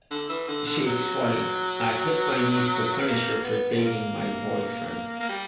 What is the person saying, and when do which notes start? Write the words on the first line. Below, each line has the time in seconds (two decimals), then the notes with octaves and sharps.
She explained, I hit my niece to punish her for dating my boyfriend.
0.11 D3
0.29 E3
0.48 D3
0.66 D3
0.86 F#3
3.00 B3
3.08 A#3
3.44 B3
3.74 B3
3.81 A#3
5.20 A#3
5.29 G3